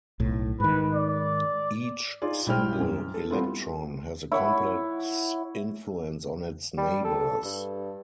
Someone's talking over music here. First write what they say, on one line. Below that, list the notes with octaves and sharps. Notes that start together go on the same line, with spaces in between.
Each single electron has a complex influence on its neighbors.
B1 A2
G#2 D#3 B4
D5
D#4 F4 G#4 D5
B1 G3 E4 C5 G5 F6
F#2
A4
G3 B3 C4 E4 F4 A4
E4 C#5 F#5
G3
A4
G2